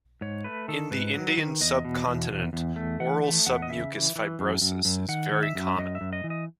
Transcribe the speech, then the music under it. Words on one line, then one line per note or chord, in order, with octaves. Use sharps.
In the Indian subcontinent oral submucous fibrosis is very common.
G#2 C#5
A3 B4
D#3 A4
G#2 B4
F#3
D#3
E2 D#5
B2
E2
E2
E2
A3
E3 F#5
A3
E2 F#5
D#5
C#3 E5
E3
E3
F#2
F#2
F#2
D#3 F#5
D#3
E5
F#2
F#2 D#5
E5
F#2
D#5
E3
D#5